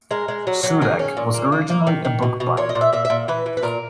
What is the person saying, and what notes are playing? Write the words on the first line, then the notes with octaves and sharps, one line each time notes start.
Sudek was originally a bookbinder.
G#3 A#4
G#3
F#3
F#3
D#3 G#4
C#4
A#2
A#3
A#3
A#3
D#3
D#3
B2
B2
A#2 C#5
D#5
A#2
E5
A#2 E5
E5
A#2
E3 B4
E3
B4
A#2 A#4